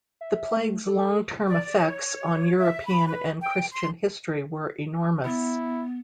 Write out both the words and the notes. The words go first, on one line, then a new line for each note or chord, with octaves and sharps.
The plague's long-term effects on European and Christian history were enormous.
E5
A3
A4
D5
C#5
E5
B5
B4
G5
C6
B3 E4